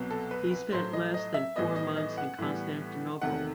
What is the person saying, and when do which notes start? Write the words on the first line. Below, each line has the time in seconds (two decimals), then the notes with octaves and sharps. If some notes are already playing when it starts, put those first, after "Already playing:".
He spent less than four months in Constantinople.
Already playing: C2 B2 F#3 B3
0.11 A4
0.31 B4
0.51 B4
0.72 A2 F#3 A3 C5
0.93 D#5
1.14 D#5
1.34 E5
1.56 A2 E3 G3 B3 D#5
1.76 D#5
1.97 D#5
2.17 F#5
2.38 A2 E3 G3 B3
3.22 E2 C3 D#3 A3 F#5